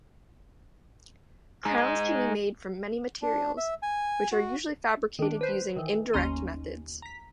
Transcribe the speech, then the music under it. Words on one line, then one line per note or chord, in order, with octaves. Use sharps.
Crowns can be made from many materials, which are usually fabricated using "indirect methods".
G#3 D#4
D4
E5
G#5
F#4
D#3 D4
B4 C5
D#3 E3
G1 D#2 C#4 A#5 C6 D#7
A#5 B6